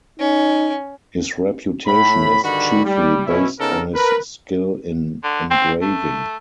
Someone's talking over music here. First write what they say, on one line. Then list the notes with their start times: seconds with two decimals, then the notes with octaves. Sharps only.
His reputation is chiefly based on his skill in engraving.
0.19 C#4 D#4
1.86 A2 B5
2.43 G2 D3 D#3 F#4 F#5 B5
2.85 G3
3.26 B2 C#4 E4
3.59 C#3 B3 D#4 A4 A#4
3.94 A#4 B4
5.24 D3
5.51 C4
5.82 A3